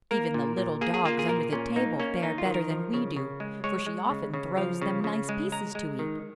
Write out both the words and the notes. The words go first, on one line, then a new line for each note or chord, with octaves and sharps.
Even the little dogs under the table fare better than we do, for she often throws them nice pieces to eat.
A#3 A#4
A#2
A#2
A#3 G#4
G#4
A#3 F4
G#4
A#2 A#4
A#2 C#4
A#3 D#4
A#3 C#4
D#3 D#4
F4
D#3
A#4
F3
C#3
C#3
G#3
G#3 C#5
G#3
C#3
C#3
F3 F5
C#3
C#3
G#3
G#3 A#5
G#3
D#3